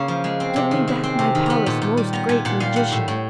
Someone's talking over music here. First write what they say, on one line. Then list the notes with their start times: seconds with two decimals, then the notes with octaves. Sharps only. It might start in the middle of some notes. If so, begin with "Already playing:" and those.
Give me back my Palace, most great magician.'
Already playing: C#3 A#3
0.08 F3
0.24 G#3
0.40 C4
0.56 C3
0.71 D#3
0.88 G#3
1.03 C4
1.19 C3
1.35 D#3
1.46 B3 A#5 B5
1.66 A#2
1.82 A#2
1.97 G3
2.13 B3 A#5
2.29 A#2 G#5
2.45 A#2 F#5
2.60 G3 F5
2.76 G3 F#5
2.92 A2
3.08 A2